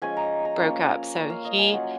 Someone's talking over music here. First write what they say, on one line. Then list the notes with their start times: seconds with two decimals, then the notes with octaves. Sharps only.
broke up, so, he
0.02 F3 G#3 C#4 G#5
0.17 A#5
0.45 A#5
0.59 A#3 C#4 F4
1.16 A#3 C#4 F4
1.30 F5
1.45 D#5
1.58 G#5
1.73 F#3 C#4 F4 F#5